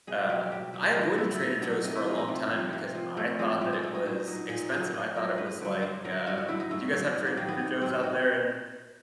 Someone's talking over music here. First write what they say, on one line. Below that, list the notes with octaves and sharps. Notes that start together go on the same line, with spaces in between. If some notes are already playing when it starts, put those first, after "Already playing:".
um, I avoided Trader Joe's for a long time because I thought that it was expensive. I thought it was like, um do you guys have Trader Joe's out there in
B2 G#4
F#3 G4
B2 G4
F#3
B2 F4
F#3 E4
E4
B2 D#4
F#3 D4
C3 D#4
E4
F3
D#4
C3
F3
C3 A#3
F3
C3 A3
F3 G#3
A#2 G3
G#3
F#3 A3
D#4
A#2 D4
F#3 D#4
A#2 D#4
F#3 G#4
A#2 G#4
F#3 A#4
G2 B4
D3 F#3
G2 C5
D3 F#3 A#4
G2 F#4
F#4
D3 F#3 E4
D#4
G2 A3
D3 F#3 A#3
G#2 B3
A#3
D#3 F#3 A#3
B3
G#2
D#3 F#3 C4
F#4